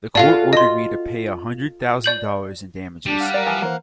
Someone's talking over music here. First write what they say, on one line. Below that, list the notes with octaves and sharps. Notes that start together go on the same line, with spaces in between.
The court ordered me to pay a hundred thousand dollars in damages.
F4 F#4 A4 D5 F5
D#5 C6
D5 G6 F#7
G3 D4
F5 F#5
A#4 D5
E3 F3
E3 A#3 C5